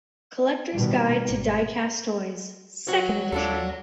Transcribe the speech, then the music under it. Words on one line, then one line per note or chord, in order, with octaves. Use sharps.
Collector's Guide to Diecast Toys, second edition.
B2 D#3 G3
G#1
F#4 C#5 F#5
G#3
D#2 D4 F4 A4